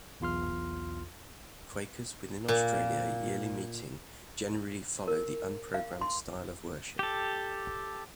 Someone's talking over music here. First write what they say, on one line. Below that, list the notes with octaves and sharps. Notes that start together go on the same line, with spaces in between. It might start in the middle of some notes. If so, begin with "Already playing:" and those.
Quakers within Australia Yearly Meeting generally follow the unprogrammed style of worship.
B1 E2 F4 C6 F6
A#2
A#4
F5
C6
G4 A4